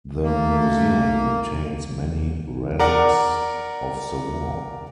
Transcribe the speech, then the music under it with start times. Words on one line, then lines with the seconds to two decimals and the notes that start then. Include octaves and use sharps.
The museum retains many relics of the war.
0.23 A3 A#3
2.79 A#4 D5 F#5 A#5